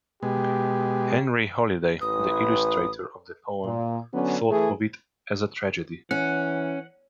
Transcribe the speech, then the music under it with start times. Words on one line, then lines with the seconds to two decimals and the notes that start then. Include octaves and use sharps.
Henry Holiday, the illustrator of the poem, thought of it as a "tragedy".
0.23 B2 G#3 G4
2.01 A1 E3 B4 D#6
3.65 A#2
4.14 D3 F#3 B3 C#4
4.50 E3 A3 G#4
6.11 E3 C#4 F#5